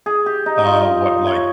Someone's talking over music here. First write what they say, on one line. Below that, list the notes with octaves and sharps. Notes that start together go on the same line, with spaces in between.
uh, what, like,
G#4
G4
D#4
D#4
F4
C#5